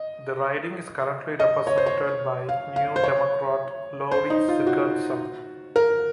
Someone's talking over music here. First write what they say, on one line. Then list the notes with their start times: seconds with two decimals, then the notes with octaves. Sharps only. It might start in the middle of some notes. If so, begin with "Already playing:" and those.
The riding is currently represented by New Democrat Lori Sigurdson.
Already playing: D#5
1.40 D#5
1.67 C#5
1.77 C5
1.86 C#5
2.49 F5
2.76 F5
2.96 C5
3.04 C#5
4.11 C5
4.30 D#4
4.48 F4
4.67 F#4
5.76 A#4